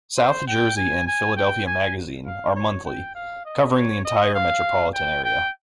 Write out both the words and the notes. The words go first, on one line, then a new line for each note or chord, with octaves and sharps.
"South Jersey" and "Philadelphia Magazine" are monthly, covering the entire metropolitan area.
C5
G5
G#5
G#5
G5
G#5
F5
C#5
G5
F5
D#5
C#5
D#5
F5
G5
G5